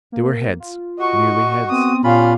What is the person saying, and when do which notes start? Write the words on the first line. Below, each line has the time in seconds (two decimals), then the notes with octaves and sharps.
They were heads--merely heads.
0.12 A#3
0.60 F4
0.99 F#4 D#5 C#6
1.71 B3 C4 D#6
2.04 A#2 C#4 F4 G4 F5 B5